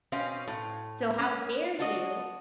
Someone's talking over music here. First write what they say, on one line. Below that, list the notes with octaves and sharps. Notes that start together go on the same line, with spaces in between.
So how dare you?"
B2 C4 C#4 F5
A2
C#4
D4 F#4 D#5